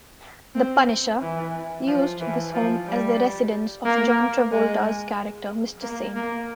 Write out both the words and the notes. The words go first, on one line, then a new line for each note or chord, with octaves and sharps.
"The Punisher" used this home as the residence of John Travolta's character Mr. Saint.
C4
E3
F3
E3
F3
G3
A#3
G#3
A#3
A#3